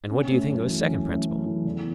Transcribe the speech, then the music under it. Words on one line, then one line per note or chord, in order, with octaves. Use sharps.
And what do you think of a second principle?
C#4
A3
F#2
E3
C#4
A3
F#2
E3
E2